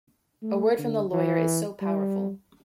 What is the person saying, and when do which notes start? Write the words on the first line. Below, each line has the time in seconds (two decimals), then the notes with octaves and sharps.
A word from the lawyer is so powerful.
0.42 A3
0.78 D3
1.12 E3
1.82 G3